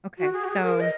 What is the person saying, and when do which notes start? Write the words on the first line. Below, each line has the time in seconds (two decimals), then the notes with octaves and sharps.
Okay, so
0.18 F#4
0.33 G#4
0.44 F#4
0.48 G#4
0.63 A#4
0.80 D#5